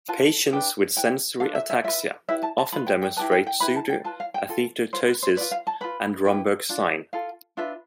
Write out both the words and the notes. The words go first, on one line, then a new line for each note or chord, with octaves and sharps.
Patients with sensory ataxia often demonstrate pseudoathetosis and Romberg's sign.
F4 B4 A5
D4 G4 B4
E4 B4 G5
D4 F4 A4 F5
E5
E5
F4 B4 E5
E4 G4 B4 E5
A5
A5
F4 B4 B5
G5
G5
E4 G4 B4 A5
G5
G5
E4 G4 B4 B5
A5
G5
F4 B4 A5
F5
G5
F4 A4
F4 B4 C5
B4
C5
F4 B4 D5
F5
A5
F4 B4 B5
E4 G4 B4
D4 F4
F4 A4 F5
D4 F4 B4 E5